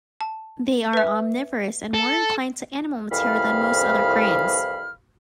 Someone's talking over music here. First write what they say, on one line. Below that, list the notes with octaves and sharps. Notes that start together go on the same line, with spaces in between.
They are omnivorous and more inclined to animal material than most other cranes.
A5
B4 E5
A4
C2 F2 E3 F5 B5 F6